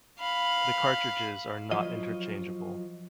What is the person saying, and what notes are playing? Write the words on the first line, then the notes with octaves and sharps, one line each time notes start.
The cartridges are not interchangeable.
F5 B5
F3 F#3 F4 D#5